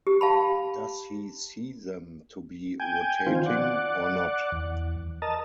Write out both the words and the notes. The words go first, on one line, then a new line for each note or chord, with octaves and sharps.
Does he see them to be "rotating", or not?
G4
F5 A5 B5
G5 G#5
D#3 F3 C4 F4
D5 F#5
E2
A#4 D#5 A5